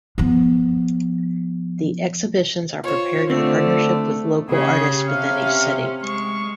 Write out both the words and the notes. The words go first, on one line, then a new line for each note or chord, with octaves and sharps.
The exhibitions are prepared in partnership with local artists within each city.
F3 B3
F4 C5 C#5
D3 A3 C4
C#3 G4 G#4
C3 C#4 F5
G#3 C#6